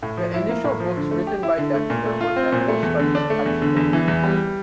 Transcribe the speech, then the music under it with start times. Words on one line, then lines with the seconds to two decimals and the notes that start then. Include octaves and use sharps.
The initial books written by Dexter were general studies text books.
0.03 A2
0.17 F3
0.34 E4
0.49 A#3
0.64 A2
0.80 F3
0.97 D3
1.11 A3
1.27 G4
1.43 E4
1.58 D3
1.74 A3
1.90 A#2
2.05 A3
2.21 F4
2.36 C4
2.52 A#2
2.68 A3
2.83 E2
2.99 D3
3.15 D4
3.30 A3
3.46 E2
3.62 D3
3.77 E2
3.93 E3
4.08 E2
4.24 G3